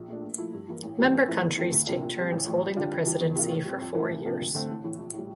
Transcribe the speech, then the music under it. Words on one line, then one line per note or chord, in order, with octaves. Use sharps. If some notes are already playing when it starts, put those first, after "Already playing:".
Member countries take turns holding the presidency for four years.
Already playing: A#1
A#2 A3 D4
A#2
F3 A3 E4
G2
E3 A#3 E4
A1
G2 E3 G3 C4
A2
E3 A3 E4
E2
E3 A3 C4
D2
C3 E3 A#3 D4
A#2
G3 C4
A1
A2 E3
F2
D3 G3 D4 F4
F2
E3 G3
E2
C3 E3 A#3 F4
A2
G3 C4
F2
E3 A3
C2
C3 F3 A#3 D4
D2
D3 A3 C4
A1
A2 E3
A#1
A2 G3